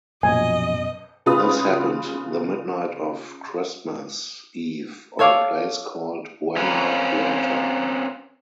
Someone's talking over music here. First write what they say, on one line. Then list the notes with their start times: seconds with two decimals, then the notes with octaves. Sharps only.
This happened the midnight of Christmas Eve on a place called Buena Huerta.
0.23 A#1 F#2 B2 D#5 G#5
1.26 C#3 F4 B4 D#6
5.19 A4 C#5 F5 D6
6.57 C4 C#4 F4 A#4 B4